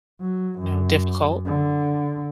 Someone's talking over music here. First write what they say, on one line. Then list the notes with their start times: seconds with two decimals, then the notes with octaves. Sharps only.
you know, difficult.
0.21 F#3
0.59 F#2
1.46 D3